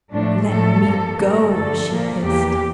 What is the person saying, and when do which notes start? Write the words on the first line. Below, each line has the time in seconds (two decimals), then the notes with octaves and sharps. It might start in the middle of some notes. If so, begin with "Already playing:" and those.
"Let me go!" she hissed.
0.11 A2 F3 A3 D4
0.47 A2 F3 A3 A4
0.82 G2 F3 A#3
1.17 G2 D3 G3 A#3 A#4
1.53 G2 D3 F3 A3 A4
1.88 A#2 F3 A#3
2.23 E2 E3 A#3 G4